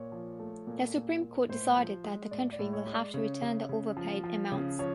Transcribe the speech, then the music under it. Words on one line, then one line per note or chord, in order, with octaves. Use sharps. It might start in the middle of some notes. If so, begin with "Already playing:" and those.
The Supreme Court decided that the country will have to return the overpaid amounts.
Already playing: A#2 C#5
F3
A3
A#2
A#2
A#2
A2 C5
F3
G#3
A2 D5
D5
A2
C#5
G#3
D5
C#3 C#5
C#3
C#3
F3
F3
C#3
F3 C#5